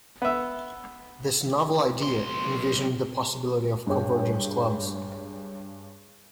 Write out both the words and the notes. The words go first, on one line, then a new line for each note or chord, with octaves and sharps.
This novel idea envisioned the possibility of convergence clubs.
B3 E5
B1 C6
G2 G#4 C#5 G5